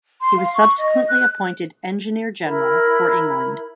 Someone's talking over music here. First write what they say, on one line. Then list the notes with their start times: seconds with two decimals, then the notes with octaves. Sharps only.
He was subsequently appointed engineer-general for England.
0.21 C6
0.37 F5
0.54 C#6
0.78 D#5
1.08 F#6
2.45 E4 A#4 B5